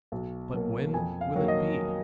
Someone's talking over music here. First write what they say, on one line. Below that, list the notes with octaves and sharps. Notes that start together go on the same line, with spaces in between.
But when will it be?
B1
B2 F#3 A#3
F2 G#5
F5
D#3 F#3 A#3
D#5